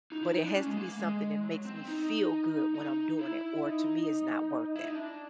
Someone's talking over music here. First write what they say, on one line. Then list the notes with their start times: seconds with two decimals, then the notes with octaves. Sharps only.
but it has to be something that makes me feel good when I'm doing it, or to me, it's not worth it.
0.12 D#4
0.23 E4
0.34 D#4
0.45 D4
0.55 C#4
0.66 G#3
0.77 A#3
0.99 G#3
1.44 F#3
1.65 C4
1.76 C4
1.87 D#4
2.75 D#4
3.19 E4
3.63 D#4
4.76 E4
4.86 D#4
4.95 D4